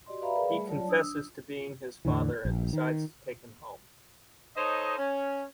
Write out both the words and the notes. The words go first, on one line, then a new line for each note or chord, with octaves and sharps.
He confesses to being his father and decides to take him home.
F#4 G4 D5 D#5 C6
B4 D5 E5 F5 A#5 B5
G#4 A#4 B4 D5 F5
G3 A3 G#4 E5 B5
F#3 F4 C#5 D5 A5
D4 D#6 E6
E2 A2 D3 E3
A#1
D#3
D#4 A4 C5 C#5 D#5
C#4